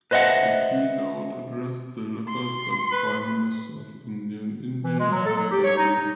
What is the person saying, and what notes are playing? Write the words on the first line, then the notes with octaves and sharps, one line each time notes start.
The keynote address delivered by Prime Minister of India Indira Gandhi.
B4 C5 D#5 E5 F#5
C6
B4
E3
G#3
F#3
A4
F#3
G4
C#5
D#4
D#4